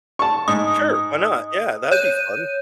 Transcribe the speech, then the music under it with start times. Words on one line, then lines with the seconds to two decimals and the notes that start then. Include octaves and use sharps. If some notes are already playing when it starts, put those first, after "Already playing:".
Sure, why not, yeah that would be fun.
0.19 A5 C#6
0.48 G#2 D#6
1.91 C#5 G6 D#7